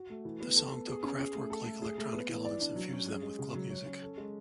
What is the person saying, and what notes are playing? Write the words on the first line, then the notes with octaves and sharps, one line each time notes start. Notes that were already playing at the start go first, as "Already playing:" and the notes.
The song took Kraftwerk-like electronic elements and fused them with club music.
Already playing: F#4
A3
E3
B3
A4
B3
G#4
C#4
G#4
A3
A4
A3
G#4
A3
B3
E3
D5
D4
F#3
C#4
G#4
G#3
C#3
F#3
C#5
C#4
A4
G#3